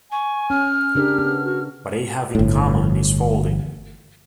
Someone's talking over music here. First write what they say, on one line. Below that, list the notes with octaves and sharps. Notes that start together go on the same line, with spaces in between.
What they have in common is folding.
G#5 C#6
C#4 F6
C#3 D4 G4 A#4
B3
F#4
G1 A2